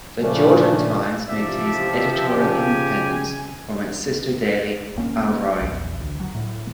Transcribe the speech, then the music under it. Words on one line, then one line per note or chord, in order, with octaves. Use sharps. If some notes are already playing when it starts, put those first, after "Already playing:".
"The Jordan Times" maintains editorial independence from its sister daily "Al Rai".
A#2 C#3 F3 A3 C#4 D4
A1 C3 F3 D5 E5
C#3 G4 G#5
F1 A#3 C#4
A#1 E2
D2
F#3
A2